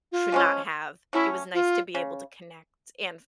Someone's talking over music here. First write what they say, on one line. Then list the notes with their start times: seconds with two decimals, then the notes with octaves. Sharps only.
should not have, it was nice to be able to connect and f
0.12 F4
0.32 F3 G#3 C#4
1.13 F#3 A3 C#4 E4
1.54 F4
1.95 C#3